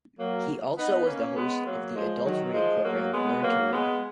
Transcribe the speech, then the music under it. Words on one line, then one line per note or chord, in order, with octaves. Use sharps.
He also was the host of the adult reading program, "Learn to Read".
F#3 A#3
B3 D#4
A#3 C#4
G#3 B3
F#3 A#3
F3 G#3
D#3 F#3
F3 G#3
F#3 A#3
G#3 B3
F#3 A#3
G#3 B3